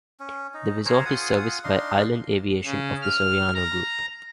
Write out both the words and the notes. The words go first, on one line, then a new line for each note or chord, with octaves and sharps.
The resort is serviced by Island Aviation of the Soriano group.
C#4
D#4
G#4 A#4 C5 C#5
F4 G#4 F#5 D#6
D4 D#4 F5 C6
C#3
F6
A#5